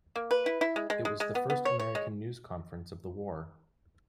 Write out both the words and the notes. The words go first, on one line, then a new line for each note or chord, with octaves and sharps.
It was the first American news conference of the war.
A#3
B4
E4
E4
G#3
G#3
G#3
G#3
B3
B3
C#5
C#5
G#3